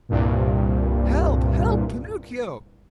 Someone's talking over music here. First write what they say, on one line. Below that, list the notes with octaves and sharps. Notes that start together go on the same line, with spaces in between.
"Help, help, Pinocchio!"
C2 G2 A#2